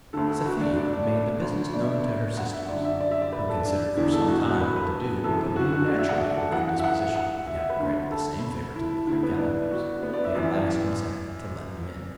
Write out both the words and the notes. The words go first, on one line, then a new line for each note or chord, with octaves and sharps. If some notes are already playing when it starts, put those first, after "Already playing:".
Safie made the business known to her sisters, who considered for some time what to do: but being naturally of a good disposition, and having granted the same favour to the three calenders, they at last consented to let them in.
D2 D3 A4
A4
F#4
D4
D4
D5
D2 D3
D5
E5
F#5
E5
F#2 D3 D5
E5
D5
E5
D5
B4
A4
D4
E2 D3 E4
A4
F#4
F#4
B4
B4
F#2 E3 A4
A4
F#4
F#4
D4
E5
F#5
D5
A4
F#2 E3 F#5
F#5
E5
F#5
F#5
E5
E5
B4
D2 D3
A4
E4
D2 D3 E4
B3
D4
F#4
B3
D5
E5
F#2 E3 D5